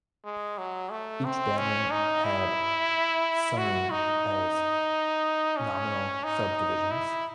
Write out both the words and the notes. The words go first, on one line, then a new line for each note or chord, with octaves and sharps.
Each banner had sumu as nominal subdivisions.
G#3
F#3
A3
C4
C#4
D#4
E4
F#4
D#4
C#4
D#4
E4